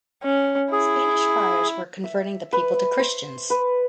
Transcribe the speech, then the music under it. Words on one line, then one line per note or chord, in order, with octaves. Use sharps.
Spanish friars were converting the people to Christians.
C#4
E4 G#4
E5
B4
C5
B4